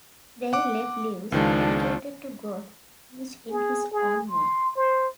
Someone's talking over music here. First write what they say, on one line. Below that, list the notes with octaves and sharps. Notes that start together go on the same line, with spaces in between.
They led lives dedicated to God, each in his own way.
F#5 D6
C#2 D#3 F3 G#3 D4
G#4
G#4
C6
C5